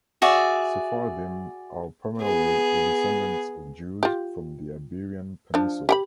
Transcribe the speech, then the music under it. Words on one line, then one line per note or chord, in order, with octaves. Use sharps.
Sephardim are primarily the descendants of Jews from the Iberian Peninsula.
F#4 G#4 D5 E5
B3 G#4
F4 G4
F3 D4
G4 G5 B5